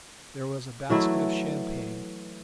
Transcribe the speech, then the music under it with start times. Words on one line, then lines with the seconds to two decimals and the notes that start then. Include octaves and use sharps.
There was a basket of champagne.
0.89 E3 F#3 A3 E4